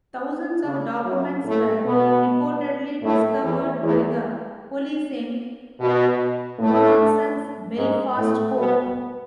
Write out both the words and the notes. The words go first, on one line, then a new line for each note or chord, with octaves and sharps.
Thousands of documents were reportedly discovered by the police in Donaldson's Belfast home.
C#3
F#2 F#3
A2 A3
B2 B3
A2 A3
E2 E3
E2 E3
B2
A2 A3
G#2 G#3
A2 A3
B2 B3